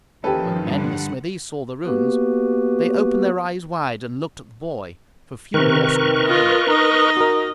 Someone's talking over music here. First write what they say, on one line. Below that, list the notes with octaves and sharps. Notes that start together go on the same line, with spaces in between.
When the men in the smithy saw the runes they opened their eyes wide and looked at the boy, for few Norsemen could read.
D#2 D#3 F3 C#4 E4 G4 A4 B4
G2 D3 G3 F#5
A#3 B3 F#4 G4 B4
C3 D#3 A#4 B4 C#6
F4 D#5
D#4 D#5 A#5
F#4 A#4